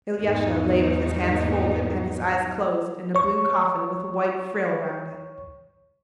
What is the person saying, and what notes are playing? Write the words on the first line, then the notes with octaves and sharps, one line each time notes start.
Ilusha lay with his hands folded and his eyes closed in a blue coffin with a white frill round it.
E2 G#2 D#4
C#5 C#6